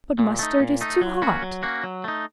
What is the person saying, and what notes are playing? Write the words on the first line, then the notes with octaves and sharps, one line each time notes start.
"But mustard is too hot."
A#2
A3 D#4
A#2
A3 D#4
F#3
A#3 C#4 F#4
F#3
A#3 C#4 F#4
F#3
A3 D#4